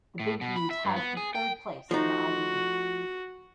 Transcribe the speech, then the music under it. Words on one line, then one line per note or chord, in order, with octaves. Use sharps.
The Big Green tied for third place in the Ivy League.
A2
B2
B5
E5
G2
B3
G#4
G5
F3 A3 D#4 F#4